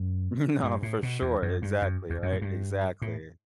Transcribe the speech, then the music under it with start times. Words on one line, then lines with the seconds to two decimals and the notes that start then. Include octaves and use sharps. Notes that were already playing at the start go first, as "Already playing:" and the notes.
No, for sure, exactly, right, exactly.
Already playing: F#2
0.63 G2
0.83 A2
1.03 B2
1.22 E2
1.42 F#2
1.62 G2
1.82 F#2
2.10 E2
2.22 F#2
2.32 A2
2.41 G2
3.02 A2